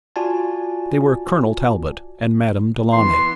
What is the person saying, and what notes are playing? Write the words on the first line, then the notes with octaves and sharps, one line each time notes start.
They were Colonel Talbot and Madame Delaunay.
F4 F#4 D5 G#5 A5
E3 B3 C6